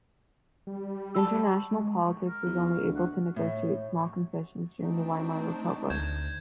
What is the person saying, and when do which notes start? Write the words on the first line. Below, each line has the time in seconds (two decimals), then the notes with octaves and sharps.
International politics was only able to negotiate small concessions during the Weimar Republic.
0.67 G3
1.15 A5 B5 E6
1.71 G#3
2.28 A#4
2.46 E2
2.65 F5
2.82 D2
2.95 F#5
3.36 A2
4.81 A3 C4 D4 D#4
5.90 D2 G6 G#6 E7